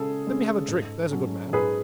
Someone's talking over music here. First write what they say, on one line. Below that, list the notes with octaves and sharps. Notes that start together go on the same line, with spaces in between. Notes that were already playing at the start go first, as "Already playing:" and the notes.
Let me have a drink, there's a good man.
Already playing: C#3 G#3 C#4 G#4 A4
G#3 C#4
G#2
F#3 C#4
G#2 G#4 B4